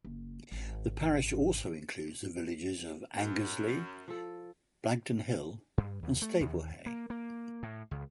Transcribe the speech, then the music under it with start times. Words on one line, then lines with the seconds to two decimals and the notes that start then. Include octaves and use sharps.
The parish also includes the villages of Angersleigh, Blagdon Hill and Staplehay.
0.05 F#1
0.51 G#1
3.17 F#2
4.08 F3 A4
5.78 G2
6.03 D#2
6.22 A3
6.41 D#2
6.86 A#3
7.10 A#3
7.63 A2
7.91 C#2